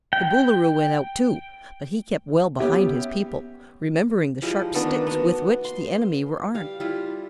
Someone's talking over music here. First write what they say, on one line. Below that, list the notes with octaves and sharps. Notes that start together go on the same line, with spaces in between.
The Boolooroo went out, too, but he kept well behind his people, remembering the sharp sticks with which the enemy were armed.
G5
B3 C#4 G4 E5
F3 G3 G#3 E4
D#3 A3 B3 D4
B3 D4 F#4
C6
G3 F5
G3 E4 F4